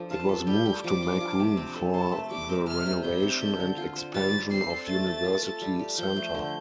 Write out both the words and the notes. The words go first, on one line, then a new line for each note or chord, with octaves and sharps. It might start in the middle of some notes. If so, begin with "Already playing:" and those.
It was moved to make room for the renovation and expansion of University Center.
Already playing: F3 D4 A4
F4 A5
A4
G3 G6
G3
F3 D6
D4
F4
C3
C4
A4
C5 A5
A3
G3 D6
C4
C3 F6
C3
G3 G6
C4
A4
D3
F4
C5
G3 A6
G3
C4 C7
A4
A3 A6
A3
F4
A4
G3
G3
F3 G6
A3
D3